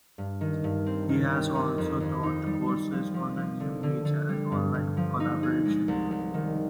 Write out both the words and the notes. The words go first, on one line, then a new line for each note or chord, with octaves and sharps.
He has also taught courses on new media and online collaboration.
G2
D#3
G2
C4
D#3
G4
D#3
F2
F2
D#4
G3
G3
F3
F3
F3
D3
D3
D3
G3
G2
G2
F3
D#4
G#4
G#3
C2
C2
D#3